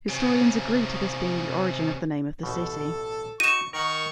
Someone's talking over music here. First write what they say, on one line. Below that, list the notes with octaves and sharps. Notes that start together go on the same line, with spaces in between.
Historians agree to this being the origin of the name of the city.
C3 C#4
A1 B2 A4
D#4 F#4 C#6 D#7 E7
D#3 A#4 F#5 C#6